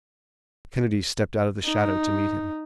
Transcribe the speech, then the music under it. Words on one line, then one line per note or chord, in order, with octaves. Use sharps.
Kennedy stepped out of the shadow to meet him.
D#4